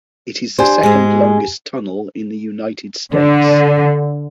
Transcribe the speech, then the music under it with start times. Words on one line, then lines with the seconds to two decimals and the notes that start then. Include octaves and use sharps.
It is the second-longest tunnel in the United States.
0.59 D4 G4 C5 G#5
0.83 G#2 G#3
3.13 D3